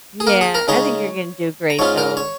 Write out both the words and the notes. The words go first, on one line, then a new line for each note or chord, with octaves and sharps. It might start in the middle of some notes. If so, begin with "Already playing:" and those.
Yeah, I think you're gonna do great though.
G#4
A#3 A#4
G#4 G#5
A#4 A#5
C#3 G#3 D#4 C#5 C#6
A#5
G#2 G#3 C#4 F4 C#5 C#6
A#4 A#5
C#5 C#6